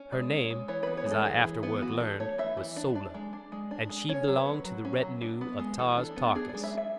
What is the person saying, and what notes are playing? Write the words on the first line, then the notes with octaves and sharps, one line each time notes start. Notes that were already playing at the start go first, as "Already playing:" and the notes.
Her name, as I afterward learned, was Sola, and she belonged to the retinue of Tars Tarkas.
Already playing: C#4
G#3 D5
C#4
G#3
E3 C#5
B3 B4
C#5
G#3
A4
E3 G#4
E3
B3
E3 F#4
D4 A4
A3 C#5
E3 E5
E3
D4
D4 D5
G#3
D4
G#3
D4
G#3
C#4 C#5
F#3
B4
C#4
F#3
C#4
F#3
D4
B3
G#3
E3 A4
D4
B3
D4 G#4
D5
G#3
E5
D4
E5